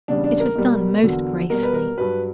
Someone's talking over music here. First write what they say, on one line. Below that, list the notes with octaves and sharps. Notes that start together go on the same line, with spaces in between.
It was done most gracefully.
E2 C#3 G3 D4
D4
A#4
B2 G3
E2 D3 F#3
B2 G3 A#4
B4
A#4
G2 F#3 B4